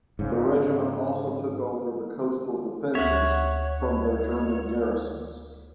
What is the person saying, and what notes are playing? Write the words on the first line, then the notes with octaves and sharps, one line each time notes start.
The regiment also took over the coastal defences from their German garrisons.
G#2 C#3
D2 C#5 E5 F#5